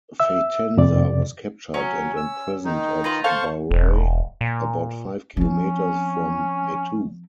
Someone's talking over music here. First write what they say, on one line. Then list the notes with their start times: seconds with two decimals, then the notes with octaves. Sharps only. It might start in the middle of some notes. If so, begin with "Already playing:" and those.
Fatansa was captured and imprisoned at Barroi, about five kilometers from Metu.
0.20 E5 E6
0.77 F2 C3 D5
1.74 F#3 C#4
2.17 E6
2.65 D#3 D#4
3.04 F4 B4 A#5
3.24 A4 C5 F5 A5 C#6
3.71 E1
4.41 A#2
5.37 F3 C4 C#4